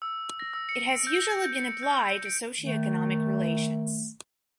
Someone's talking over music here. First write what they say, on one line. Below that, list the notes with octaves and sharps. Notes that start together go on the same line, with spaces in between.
It has usually been applied to socio-economic relations.
E6
A#6
E6
C#7
D7
G6
A#6
G6
C#7
G6
D7
D#3 A3